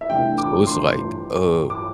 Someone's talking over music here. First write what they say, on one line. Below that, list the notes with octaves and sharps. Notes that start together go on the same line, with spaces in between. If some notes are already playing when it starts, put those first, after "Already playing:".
So it's like, uh,
E5
C2 C3 E3 A3 D4 G5
D6
C6
A1 G2 E3
D6